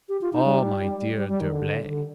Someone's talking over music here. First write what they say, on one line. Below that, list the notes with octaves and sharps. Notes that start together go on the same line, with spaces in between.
"Oh! my dear D'Herblay!"
G4
F4
D#4
G3
G3
G3
D#3
D3
D3